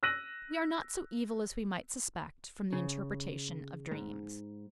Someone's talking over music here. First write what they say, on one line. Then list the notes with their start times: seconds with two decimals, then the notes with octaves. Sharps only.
We are not so evil as we might suspect from the interpretation of dreams.
0.03 E6 F#6 A#6 D#7 F#7
2.73 C#3
3.91 G#2